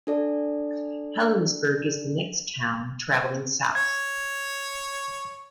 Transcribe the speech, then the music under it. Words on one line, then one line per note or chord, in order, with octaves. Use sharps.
Helensburgh is the next town, travelling south.
D4 A4 D5
C#5 G#6